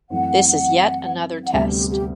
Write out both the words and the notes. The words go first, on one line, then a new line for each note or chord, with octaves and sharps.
This is yet another test.
F#2 E3 A3 C4 F#5
F#5
D2 C3 G3 B3 E5
G4
G4